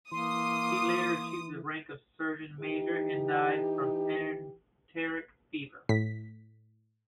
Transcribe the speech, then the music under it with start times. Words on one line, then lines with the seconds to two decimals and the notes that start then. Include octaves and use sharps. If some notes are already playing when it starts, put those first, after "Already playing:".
He later achieved the rank of surgeon major and died from enteric fever.
0.12 E3 A#3 C6 D#6
2.60 E3 D#4 G4
5.89 A2 B6